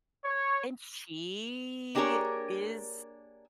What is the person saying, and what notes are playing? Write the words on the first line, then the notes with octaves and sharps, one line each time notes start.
and she is
C#5
A#3 D4 G4 G#4 A#4 C#5